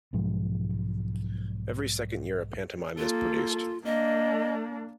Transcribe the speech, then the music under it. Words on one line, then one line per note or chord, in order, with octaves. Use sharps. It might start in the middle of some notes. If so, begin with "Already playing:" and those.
Every second year a pantomime is produced.
B1 G#2 F3 G#3
A#3 F4 A4
A#3 D4 D#5